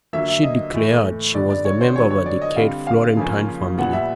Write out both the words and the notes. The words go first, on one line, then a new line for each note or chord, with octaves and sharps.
She declared she was the member of a decayed Florentine family.
D3 F#3 A#3 E5
E5
D#5
A2 E3 A3
D3 G3 B3 D5
D5
C#5
C5
D3 F#3 B3 C#5
C#5
D5
D#5
D3 G3 C4 F5
F5
C#3 F3 A#3 C#4
A#2 G3 B3 F#5
E5